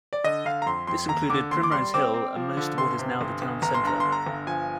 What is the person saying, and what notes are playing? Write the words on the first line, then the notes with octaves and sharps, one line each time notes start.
This included Primrose Hill and most of what is now the town centre.
D5
D3 D#5
D3 F5
A#5
F2 C6
F2 C6
D#2 A#5
D3 D6
D#2 C6
D6
G3 C6
C4 D6
C4
F3
D3
G1 C6
C3
G1
G1
G1 A#5
C6
G2 A#5
D3 C6
A#5
G1
F3 G#5